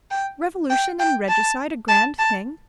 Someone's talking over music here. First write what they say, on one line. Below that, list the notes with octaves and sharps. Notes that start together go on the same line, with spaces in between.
Revolution and regicide a grand thing?...
G5
G5
G5
A5
A5
A5